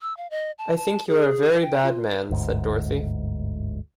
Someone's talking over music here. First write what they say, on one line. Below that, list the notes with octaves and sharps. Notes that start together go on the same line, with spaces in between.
"I think you are a very bad man," said Dorothy.
E6
F5
D#5
A5
A5
G#4
G5
F4
G1 D2 G#2